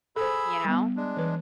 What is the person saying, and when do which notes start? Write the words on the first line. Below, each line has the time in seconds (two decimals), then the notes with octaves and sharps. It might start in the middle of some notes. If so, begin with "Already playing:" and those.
You know?
0.16 G#4 A4 C5 B5 E6
0.65 G3 B3
0.96 G#3 D4
1.17 E3 B4